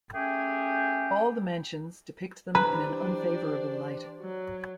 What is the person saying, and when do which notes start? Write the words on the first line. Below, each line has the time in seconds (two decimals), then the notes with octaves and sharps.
All the mentions depict them in an unfavourable light.
0.14 A3 C#4 G4 G#4 G5
2.55 E3 D4 G4 B4 C5 D5 A#5
4.20 F#3